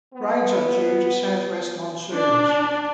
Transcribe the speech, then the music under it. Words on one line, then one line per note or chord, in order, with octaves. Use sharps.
Rains are due to southwest monsoons.
B3
D4